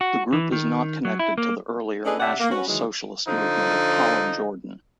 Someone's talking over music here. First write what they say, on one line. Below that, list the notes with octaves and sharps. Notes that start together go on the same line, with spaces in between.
The group is not connected to the earlier National Socialist Movement of Colin Jordan.
F#4
E3
D#3
F#3
E4
A#3
C#4 D4 G#4 A4 B4 D#5
C3 D5 E5 F#5
A#3
C#4 F#4 B4
D#3 E3 F#3 G#3
D3 F3 D#4